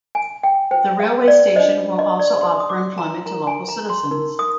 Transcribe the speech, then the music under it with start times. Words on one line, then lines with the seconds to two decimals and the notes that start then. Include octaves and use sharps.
The railway station will also offer employment to local citizens.
0.15 G#5
0.43 G5
0.71 F4 C5 G5
1.00 F5
1.28 D5
1.56 D4 F4 C5 D#5
1.99 D#5
2.19 D5
2.41 D#4 G4 C5 C6
2.60 D#6
2.69 D6
2.98 A#5
3.26 D#4 A#4 A#5
3.47 G#5
3.68 A#5
3.89 C6
4.11 D#4 A#4
4.39 D#6